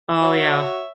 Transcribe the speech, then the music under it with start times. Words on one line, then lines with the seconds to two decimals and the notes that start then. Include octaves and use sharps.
Oh, yeah.
0.22 F#4 C#5 E5